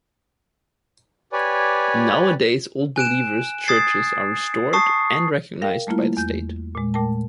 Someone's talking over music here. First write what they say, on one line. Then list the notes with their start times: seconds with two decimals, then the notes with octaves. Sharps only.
Nowadays Old Believers' churches are restored and recognized by the State.
1.32 G4 B4 C#5 D5 G#5
2.96 G#5 F#6 D7 E7
3.68 D#6 G#6 A6 C7
4.73 A5 C#6 D#6 C7
5.62 A#4 F5 G5
5.87 G3 A3 A#3 E4 F4
6.17 E2 G6
6.75 A#2 G#3
6.94 A#2 A3 A#4 G5 A5